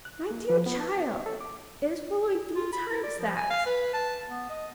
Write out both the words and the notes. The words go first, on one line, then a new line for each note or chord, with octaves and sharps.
"My dear child!--it is fully three times that."
F#6
A#3
F3
B3
A5
C#5
A4
D6
F4
B5
E4
D5
F3
G#5
F5
B4
A5
B3
D#5